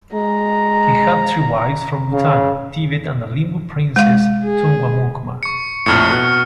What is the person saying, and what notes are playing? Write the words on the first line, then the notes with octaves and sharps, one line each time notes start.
He had three wives from Bhutan, Tibet and a Limbu princess, Thungwamukma.
G#3 A#5
C#3
G#3 F5
G#4
C#6 C#7
A#1 F2 A2 F6 C#7
B2 F#6